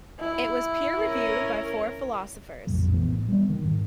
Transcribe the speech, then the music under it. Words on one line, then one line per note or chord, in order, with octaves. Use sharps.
It was peer reviewed by four philosophers.
E4
C#4 A#4
A#1 F2 A2 F#3
A2 E3 B3
G3 B3
D#3
G#2